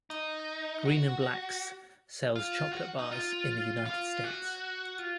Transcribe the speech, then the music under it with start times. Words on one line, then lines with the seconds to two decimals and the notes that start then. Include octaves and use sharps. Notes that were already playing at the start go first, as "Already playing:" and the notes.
Green and Black's sells chocolate bars in the United States.
0.10 D#4
0.85 F#4
2.35 F4
2.73 F#4
2.99 D#4
3.11 F4
3.86 F4
4.24 F#4
4.99 F4